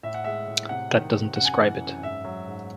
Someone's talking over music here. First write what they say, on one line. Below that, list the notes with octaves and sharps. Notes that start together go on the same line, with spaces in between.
That doesn't describe it.
A2 E5
F#5
G#3 E5
A2
C3 F#5
D#3
C3
F#2 F#5
G#5
F#5
E3
F#2
G#2 E5
F#3
G#2